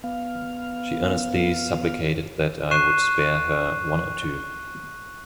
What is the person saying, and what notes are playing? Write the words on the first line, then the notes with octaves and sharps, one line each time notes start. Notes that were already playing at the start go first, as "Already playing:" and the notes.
She earnestly supplicated that I would spare her one or two.
B3 F5
C#6 F#6 C7 D#7 E7